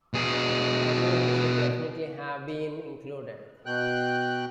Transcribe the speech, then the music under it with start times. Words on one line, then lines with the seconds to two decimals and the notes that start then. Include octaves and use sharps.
For me he should definitely have been included.
0.14 B2 G#4
3.66 B2 G5 F#6